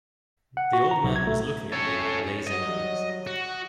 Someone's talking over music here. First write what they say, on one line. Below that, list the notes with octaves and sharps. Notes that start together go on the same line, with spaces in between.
The old man was looking at me with blazing eyes.
F#5
F#4
A#5
B1
G#6
A3
F2 C#4 A4 C#5
F#3 G3 D#5
F#4